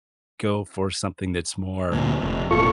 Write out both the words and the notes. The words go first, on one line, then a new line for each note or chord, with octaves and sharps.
go for something that's more
D2 A#2
F1
F1 A#2 F4 A4 C#6